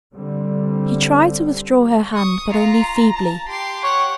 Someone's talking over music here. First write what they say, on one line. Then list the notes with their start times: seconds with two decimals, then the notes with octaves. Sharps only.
She tried to withdraw her hand, but only feebly.
0.14 D3 G3 C4
2.15 C#6 D#6
2.49 F4 A#5
3.16 A5
3.48 G4 C6 D6
3.84 C#5 F#5